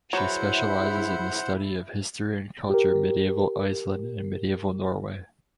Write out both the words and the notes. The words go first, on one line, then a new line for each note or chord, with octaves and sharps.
She specializes in the study of history and culture Medieval Iceland and Medieval Norway.
F#3 E4 G#4 B4 C5 F#5
G4 A#4